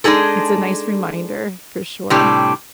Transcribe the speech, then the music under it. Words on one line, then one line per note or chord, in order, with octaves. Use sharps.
it's a nice reminder, for sure,
G#3 D4 D#4 G#4 A4
A2 C3 G3 D4 G4